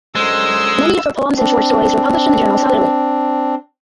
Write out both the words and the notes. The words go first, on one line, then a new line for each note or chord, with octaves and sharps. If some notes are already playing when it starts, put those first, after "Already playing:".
Many of her poems and short stories were published in the journal "Southerly".
F#2 D3 G#3 C5 E6
C4 D4